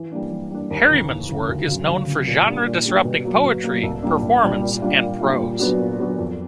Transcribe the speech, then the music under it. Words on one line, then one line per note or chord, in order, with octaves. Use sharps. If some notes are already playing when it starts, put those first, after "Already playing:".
Harryman's work is known for genre-disrupting poetry, performance and prose.
Already playing: E3
G3 A#3 D4
E3
G3 A#3 D4
D#2
C#3 E3
D#2
C#3 E3
D2
C#3 F#3
D2
C#3
F#3
A#2
G3 A#3 D4 G4
A#2
G3 A#3 D4 G4
B2
F#3 A#3
B2
F#3 A#3
C2
A#2 G3 A#3 D4
C2
A#2 G3 A#3 D4
A#2
G3 A#3 D4 F4
A#2
G3 A#3 D4 F4
A#2
F#3 B3 D4 F#4
A#2
F#3 B3 D4 F#4
F2